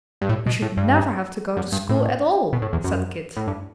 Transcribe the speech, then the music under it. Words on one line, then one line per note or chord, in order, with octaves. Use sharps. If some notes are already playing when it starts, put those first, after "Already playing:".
"We should never have to go to school at all," said Kit.
G2
A2
B2
A2
G2
F#2
G2
A2
B2
A2
E2
F#2
A2
G2